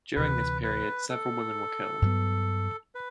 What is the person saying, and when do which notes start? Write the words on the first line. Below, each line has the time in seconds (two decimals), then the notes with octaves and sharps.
During this period, several women were killed.
0.16 D2 C3 E3 B4
0.63 B4
1.09 A4
2.02 G2 F#3 B3
2.95 B4